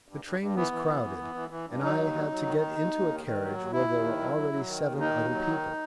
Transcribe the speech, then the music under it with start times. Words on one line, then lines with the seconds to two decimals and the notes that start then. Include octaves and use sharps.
The train was crowded, and I had to get into a carriage where there were already seven other people.
0.08 G2
0.24 G2
0.40 G2
0.56 E3 B3
0.72 E3
0.87 E3
1.03 E3
1.19 E3
1.35 E3
1.50 E3
1.67 G2
1.83 F#3 D#4
1.98 D#2
2.14 F#3
2.30 F#3
2.45 D#3
2.62 D#2
2.78 D#2
2.93 D#2
3.10 D#3
3.25 D#3
3.41 F#3
3.57 D#2
3.72 D#2 E4
3.89 D#2
4.04 D#3
4.20 F#3
4.36 F#3
4.53 F#3
4.67 D#3
4.84 D#2
5.00 D#3 D#4
5.16 D#2
5.31 F#3
5.46 D#3